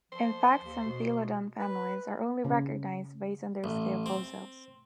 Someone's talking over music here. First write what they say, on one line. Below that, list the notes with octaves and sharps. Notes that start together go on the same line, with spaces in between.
In fact, some thelodont families are only recognised based on their scale fossils.
F3 C5
D#2
B2
B4
C#3
A1
C4